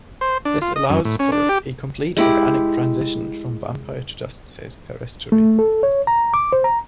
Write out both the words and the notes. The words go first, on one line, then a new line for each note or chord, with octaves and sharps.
This allows for a "complete organic transition" from vampire to dust, says Peristere.
C5
D4
F4
D#5
F#2
A2
C#4
D4
G4
G#3 E4 G4
A3
A4
C#5
A#5
D6
C5
A#5